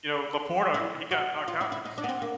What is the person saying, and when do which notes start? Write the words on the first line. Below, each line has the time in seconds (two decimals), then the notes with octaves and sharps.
You know, LaPorta, he got knocked out for the season.
0.74 E4
1.11 F#4
1.48 F4
1.61 E4
1.72 E4
1.85 D#4
1.98 D4
2.04 B3
2.09 C4
2.22 A#3